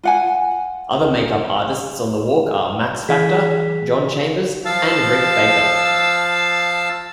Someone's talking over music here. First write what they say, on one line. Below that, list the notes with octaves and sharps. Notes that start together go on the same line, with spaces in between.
Other make-up artists on the walk are Max Factor, John Chambers and Rick Baker.
F4 F#5 G#5
E3 G#4 B6
F3 F5 A5 E6